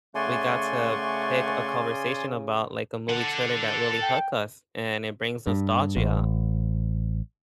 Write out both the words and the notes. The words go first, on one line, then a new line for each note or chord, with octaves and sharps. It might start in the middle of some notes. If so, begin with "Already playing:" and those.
we got to pick a conversation about, like, a movie trailer that really hook us, and it brings nostalgia,
C#3 A3 D5 F#5 G#5 C6 C#6
A4 F#5
G5
G2
A1